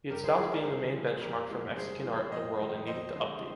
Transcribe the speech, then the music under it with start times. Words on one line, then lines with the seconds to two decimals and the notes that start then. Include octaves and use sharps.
He had stopped being the main benchmark for Mexican art in the world and needed to update.
0.11 G2 G4 A#4
0.24 G#4 C5
0.38 F3 G#3 G#4 C5
0.52 A#4 D5
0.66 G2 G#4 C5
0.93 F3 G#3
1.21 F2 G4 A#4
1.49 D3 F3 G#3
1.76 G2 G#4 C5
2.04 F3 G#3
2.31 F2 C5 D#5
2.59 D#3 G3
2.87 F2 C5 D#5
3.15 D3 G#3